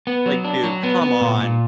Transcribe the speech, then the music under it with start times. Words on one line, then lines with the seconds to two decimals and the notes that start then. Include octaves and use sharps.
like, dude, come on,
0.07 B3
0.26 F#3
0.45 D4
0.63 F#3
0.83 B3
1.02 B3
1.21 A#2
1.41 A#2